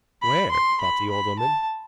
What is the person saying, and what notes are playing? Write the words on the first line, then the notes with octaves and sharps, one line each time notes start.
"Where?" thought the old woman.
B5
C6
B5
B5
A5